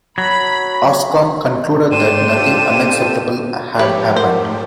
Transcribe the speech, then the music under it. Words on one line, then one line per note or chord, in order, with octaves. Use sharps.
Ofcom concluded that nothing unacceptable had happened.
F#3 B5
G#2 D4 C5 G5 C6 D#7 E7
F4 G4 A4
G#2 F3 A3 G4 B4 C#5
A#4 C5 F#5